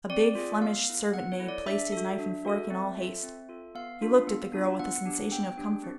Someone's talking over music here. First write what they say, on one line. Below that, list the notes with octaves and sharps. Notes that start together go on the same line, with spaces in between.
A big Flemish servant-maid placed his knife and fork in all haste; he looked at the girl with a sensation of comfort.
C4 D5
F4 G#4
B3 F5
E4 A4
B3 F#5
C#5
E4 A4
D5
D4 E5
F#4 A4
D4
F#4 A4
C4
F4 A4
C4
F4 A4
B3 F5
D4 F4
B3
D4 F4
B3 F#5
D4 G4
B3 G5
D4 G4
C4